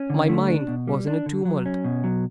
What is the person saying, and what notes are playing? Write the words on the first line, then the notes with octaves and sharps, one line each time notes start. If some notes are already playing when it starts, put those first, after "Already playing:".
My mind was in a tumult.
Already playing: C#4
D3
A3
D4
B2
G3
D4
D3
F#3
C#4
B2
F#3